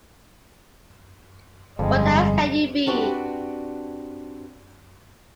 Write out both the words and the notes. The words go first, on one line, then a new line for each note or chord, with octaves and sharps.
What else can you be?
G1 F2 G3 G#3
C4 D4 F#4 G4 B4